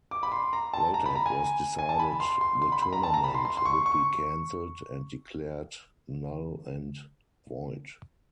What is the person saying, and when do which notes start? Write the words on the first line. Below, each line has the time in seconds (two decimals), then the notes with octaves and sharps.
Later it was decided the tournament would be cancelled and declared null and void.
0.11 D6
0.23 B5
0.32 C6
0.53 A#5
0.73 A5
0.94 A#5
1.06 B5
1.15 A#5
1.26 G#5
1.79 G#5
1.89 A5
1.99 B5
2.20 C6
2.41 C6
2.62 C6
2.72 B5
2.82 B5
2.93 A#5
3.03 A5
3.14 A#5
3.24 B5
3.34 C6
3.45 C6
3.57 C6
3.65 C#6
3.86 C#6